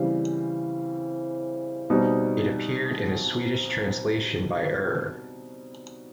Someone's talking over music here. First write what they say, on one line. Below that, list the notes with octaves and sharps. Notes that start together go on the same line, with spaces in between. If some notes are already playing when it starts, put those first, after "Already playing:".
It appeared in a Swedish translation by Er.
Already playing: C#3 E3 G3 C4
B2 G3 C4 D#4